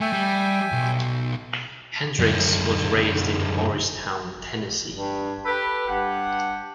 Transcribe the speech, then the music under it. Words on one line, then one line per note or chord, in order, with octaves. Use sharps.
Hendrix was raised in Morristown, Tennessee.
A3 E5 G5 G#5
G3
B1
F#2 D3
G2
G4 A4 B4
G2 G4 F#5